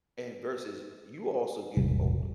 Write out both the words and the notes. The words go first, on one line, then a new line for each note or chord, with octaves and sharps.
and versus you also getting older
E1 A1 C3 G3